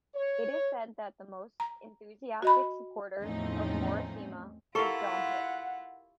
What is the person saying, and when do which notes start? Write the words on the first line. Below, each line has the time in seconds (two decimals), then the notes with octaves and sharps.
It is said that the most enthusiastic supporter of Morishima was John Hicks.
0.14 C#5
1.60 A#5
2.42 F#4 D#5 B5
3.20 E2 A2 F3 C4 C#4 D#4
4.75 E4 F4 G4 A4 A#4 F5 F#5 C#6